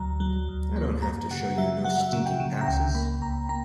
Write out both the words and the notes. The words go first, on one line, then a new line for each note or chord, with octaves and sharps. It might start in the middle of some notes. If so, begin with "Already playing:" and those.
I don't have to show you no stinking passes!
Already playing: D2 F#3 A#5
F#3
D2
A#3
F#2 A#5
C#3 F#5
F#3 E5
F#3 F#5
E5
C#3 F#5
G5
C#3
A#5
C#2 G5
A#3 B5
C#2 A#5
A#3 A#5